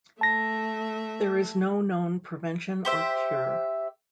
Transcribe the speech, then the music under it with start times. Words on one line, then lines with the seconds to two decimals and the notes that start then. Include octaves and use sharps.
There is no known prevention or cure.
0.21 A3 E5 A5 A#6
2.85 G4 C5 E5